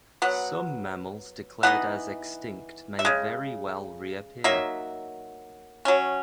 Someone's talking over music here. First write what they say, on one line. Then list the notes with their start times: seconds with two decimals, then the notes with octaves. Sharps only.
Some mammals declared as extinct may very well reappear.
0.22 F#3 B3 F#5
1.63 E3 B3 D#4 F#5
2.99 E5
3.05 C#3 G#3
4.44 F#3 A#3 D#4 E5
5.85 F#3 C#4